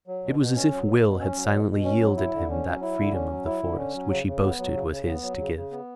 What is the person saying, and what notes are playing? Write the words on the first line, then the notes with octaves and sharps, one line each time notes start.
It was as if Will had silently yielded him that freedom of the forest which he boasted was his to give.
F#3
B2
B2
C#4
F#3
B2
B2
C#4
F#3
B2
B2
C#4
F#3
E4
D3
C#4
F#3
E4
D3
C#4
F#3
E4
D3
C#4
F#3
C#3
C#3
B3
F#3
C#3
C#3
B3
F#3
C#3
C#3
B3